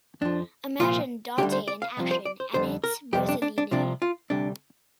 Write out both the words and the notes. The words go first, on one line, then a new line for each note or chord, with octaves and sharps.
Imagine Dante in action, and it's Mussolini.
F2 F3 D4
C2 A#2 F3 F4
D2 D3 G3 G4
C5
D5
F5
C2 C3 F3
C5
D5
C5
F2 D3 G3 C5
A#4
F2 C3 G3 G4
D4
D4
D4
C2 C3 F3 D4
F4
D2 C3 G3 D4